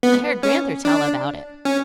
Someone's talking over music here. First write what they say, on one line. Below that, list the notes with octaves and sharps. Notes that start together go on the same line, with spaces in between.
I heard Gran'ther tell about it.
B3
C#4
D4
C#4